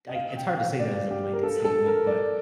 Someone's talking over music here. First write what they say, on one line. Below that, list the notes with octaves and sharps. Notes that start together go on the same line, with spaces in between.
I, it's hard to say that as a blanket statement, but
D#5
F5
G5
F5
D5
G4
A#4
A4
A4
A#4
D5